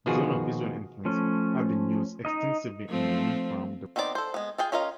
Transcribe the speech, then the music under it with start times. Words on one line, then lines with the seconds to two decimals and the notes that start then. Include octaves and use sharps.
Zones of visual influence have been used extensively in wind farm development.
0.06 B2 D#3 F3 F4 F#4 G#4
1.05 F3 A3 C#4
2.25 D#4 D#5
2.88 F3 A3 C4
3.96 D#3 B3 C4 E4 D5
4.15 A4 C5
4.34 G#3 B3
4.58 F4 G#4 G5
4.72 C#4 F4 A#4 D#5 F5